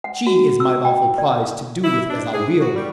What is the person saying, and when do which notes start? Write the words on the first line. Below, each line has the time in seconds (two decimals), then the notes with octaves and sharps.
She is my lawful prize to do with as I will.
0.04 F#5
0.27 F#4
0.60 E6
0.85 G5
1.18 D5
1.84 E4
2.09 D4
2.33 G#4
2.59 F#4
2.76 G3